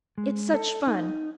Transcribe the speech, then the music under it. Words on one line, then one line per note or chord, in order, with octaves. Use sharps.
It's such fun!
G#3
A4
D#4